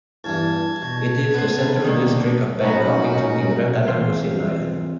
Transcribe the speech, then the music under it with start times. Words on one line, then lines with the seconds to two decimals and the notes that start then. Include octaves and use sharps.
It is the central district of Bangkok, including Rattanakosin Island.
0.24 E2 G2 E3 A5 G#6
0.82 B2
1.34 B3 B4 C5
1.82 B2 D#3 A#3 D4
2.62 F#3 C#4 D#4 F#4 B4
3.88 E3 C4 F4 C5